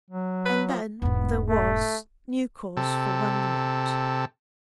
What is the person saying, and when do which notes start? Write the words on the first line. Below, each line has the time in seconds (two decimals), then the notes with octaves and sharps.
And then there was new cause for wonderment.
0.10 F#3
0.46 B4
0.69 F3
1.02 E1 G#2 B3
1.48 A3
2.77 C3 A4